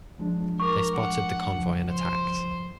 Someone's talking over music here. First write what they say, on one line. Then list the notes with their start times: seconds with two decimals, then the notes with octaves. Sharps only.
They spotted the convoy and attacked.
0.19 F3 G#3 D4
0.60 A#4 C#6 D6
0.95 F#5
1.55 C#2 G2 F3
1.91 C5